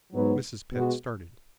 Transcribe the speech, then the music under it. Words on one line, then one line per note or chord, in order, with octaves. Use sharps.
Mrs. Pett started.
G#2 F#3 B3
B2 G#3 B3 F#4